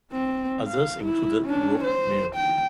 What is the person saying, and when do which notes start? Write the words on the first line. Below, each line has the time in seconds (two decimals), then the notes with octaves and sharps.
Others included "Rogue Male".
0.12 C4
0.67 F5
1.05 E4
1.45 C#4 D4
1.84 C5
2.36 G5